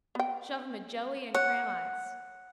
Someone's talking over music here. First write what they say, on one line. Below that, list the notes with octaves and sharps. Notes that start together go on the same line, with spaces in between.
Shove him a joey and grahamise.
B3 G5
C#5 F#5